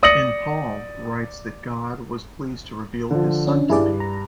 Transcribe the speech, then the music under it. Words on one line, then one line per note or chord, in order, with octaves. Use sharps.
In Paul writes that God was pleased to reveal his son to me.
D5 D#6 A#6 C#7 F#7
D3 F3
C#4 D4
G2 E4 G#4 D5
A#5